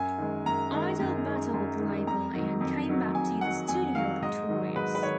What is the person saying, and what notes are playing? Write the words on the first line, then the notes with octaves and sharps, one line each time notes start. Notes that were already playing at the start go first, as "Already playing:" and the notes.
Idol battled the label, and came back to the studio victorious.
Already playing: F#2 G#5
D#3 G#3
F#2 A#5
D#3 G#3
F#2
D#3 G#3
F#2
D#3 G#3
F2 A#5
D#3 F#3
F2
D#3 F#3
F2 G#5
D#3 F#3 F#5
F2 G#5
D#3 F#3 F5
G#2 D#5
D#3 F#3
G#2 B4
B4
D#3 C#5